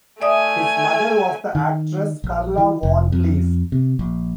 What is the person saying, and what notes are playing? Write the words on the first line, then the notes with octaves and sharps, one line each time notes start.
His mother was the actress Karla van Cleef.
A3 D5 E5 G#5 D#6
D#3
A#1
E3
F1
F2
C3
A#1